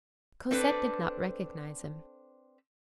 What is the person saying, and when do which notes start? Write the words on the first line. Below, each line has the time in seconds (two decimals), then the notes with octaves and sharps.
Cosette did not recognize him.
0.51 C4 D4 A4 B4 C5